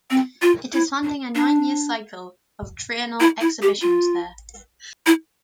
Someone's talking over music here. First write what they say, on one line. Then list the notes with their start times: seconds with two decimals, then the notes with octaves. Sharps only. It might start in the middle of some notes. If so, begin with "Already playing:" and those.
It is funding a nine-year cycle of Triennial Exhibitions there.
0.11 C4
0.42 F4
0.73 E4
1.04 D4
1.35 D4
3.20 E4
3.41 E4
3.62 G4
3.82 F4
5.06 E4